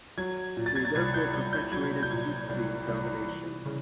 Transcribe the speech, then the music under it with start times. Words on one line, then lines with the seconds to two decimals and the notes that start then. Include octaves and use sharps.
They therefore perpetuated Tutsi domination.
0.18 F#3 G#6
0.57 A#2
0.66 A6
0.76 G#6
0.85 A6
0.95 C2 G#6
1.14 G6
1.33 C2 G#6
1.53 G6
1.72 F#3 G#6
2.03 G6
2.11 A#2 G#6
2.49 C2
2.88 C2
3.27 E3
3.66 C#3